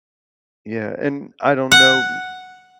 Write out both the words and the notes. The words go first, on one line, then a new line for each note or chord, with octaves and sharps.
Yeah, and, I don't know
F#5